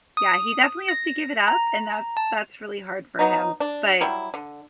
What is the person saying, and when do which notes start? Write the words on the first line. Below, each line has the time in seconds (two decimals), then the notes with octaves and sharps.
yeah, he definitely has to give it up, and that's that's really hard for him, but
0.17 D#6
0.89 A#6
1.48 A#5
2.17 A5
3.19 F#3 B3 D#4
3.60 D4
4.01 F#3 G3 E4
4.34 D3